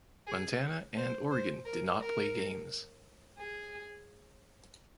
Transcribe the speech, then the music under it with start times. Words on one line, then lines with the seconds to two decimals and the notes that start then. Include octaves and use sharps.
Montana and Oregon did not play games.
0.27 G#4
0.97 C5
1.31 C5
1.65 A#4
2.00 A#4
3.38 G#4